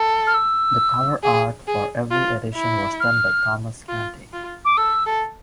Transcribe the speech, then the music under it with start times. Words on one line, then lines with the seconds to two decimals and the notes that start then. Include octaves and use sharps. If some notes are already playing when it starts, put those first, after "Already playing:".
The cover art for every edition was done by Thomas Canty.
Already playing: A4
0.27 F6
0.34 E6
1.23 G#4
1.67 G#4
2.11 F4
2.56 E4
3.00 F6
3.89 F4
4.33 F4
4.65 D6
4.77 A4 E6
5.06 A4